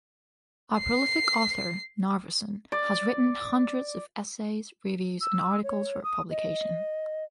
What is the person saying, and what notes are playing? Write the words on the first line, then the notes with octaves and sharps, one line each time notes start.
A prolific author, Narveson has written hundreds of essays, reviews and articles for publication.
C7
D5
E6
C#5
D#6
D#5